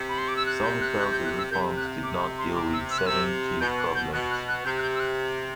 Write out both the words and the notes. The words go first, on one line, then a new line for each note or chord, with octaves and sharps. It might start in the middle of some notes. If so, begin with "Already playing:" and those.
Some felt the reforms did not deal with certain key problems.
Already playing: C3
B5
C6
D6
E6
F#6
G6
F#6
F#6
G6
F#6
E6
C3 G6
F#6
D6
C6
C6
D6
E6
E6
F#6
C3 E6
B2 G6
F#6
G6
B2 F#6
F#6
F#6
C3 G6
F#6
G6
E6
F#6